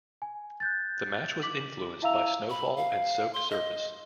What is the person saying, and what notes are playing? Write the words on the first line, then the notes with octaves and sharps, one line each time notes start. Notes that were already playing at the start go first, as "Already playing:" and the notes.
The match was influenced by snowfall and soaked surface.
G#5
F#6 G6 A6
D6 B6 F#7
E4 E5 F5 A#5 E6 F7
B5
F5
C6
D#5